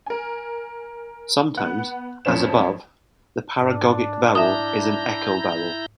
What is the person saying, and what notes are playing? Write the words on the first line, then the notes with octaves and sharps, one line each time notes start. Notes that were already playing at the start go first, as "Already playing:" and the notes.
Sometimes, as above, the paragogic vowel is an echo vowel.
A#4 G#5
B3 F#5 F#6
A1 F2 F3 C#4 C5 E7
G#2 D4
E4 E5 A#5 D#6 G6